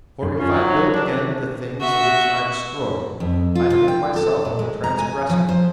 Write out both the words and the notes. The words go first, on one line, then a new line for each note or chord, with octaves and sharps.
For if I build again the things which I destroyed, I make myself a transgressor.
F#2
C#4 D4 F4
F#3
D#4 C#5
D4 G#4 A#4
F#4 E5
F2
F4
F4
G5
A4
A#2
G#3
A#5
G#5
F3
C5